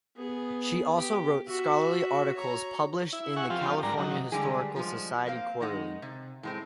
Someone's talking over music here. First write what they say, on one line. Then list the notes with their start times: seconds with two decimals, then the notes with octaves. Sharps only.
She also wrote scholarly articles published in the "California Historical Society Quarterly".
0.16 B3 G#4
0.98 G4
1.47 F#4 E5
2.36 C#5 A#5
3.13 E4
3.36 G#4 E5 F#5 C#6
3.50 F3 C4 F4 G4
3.83 G#2 G3 D4 A#4 A#5
3.98 D#3 F#3
4.32 D3 G3 G#3 G4 G#4
4.76 F3 G3 G#3
5.27 A#3 C4 F5
5.60 D#3 G#3 D#4 F#5
6.02 C3
6.43 A2 G#3 C4